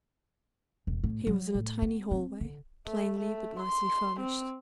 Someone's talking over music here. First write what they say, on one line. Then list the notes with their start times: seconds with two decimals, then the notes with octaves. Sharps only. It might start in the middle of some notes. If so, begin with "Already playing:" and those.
He was in a tiny hallway, plainly but nicely furnished.
0.87 E1
1.04 A2
1.27 F#3
1.55 A2
1.82 B3
2.11 C4
2.41 D3
2.86 A3
3.20 A3
3.60 C6
4.20 C4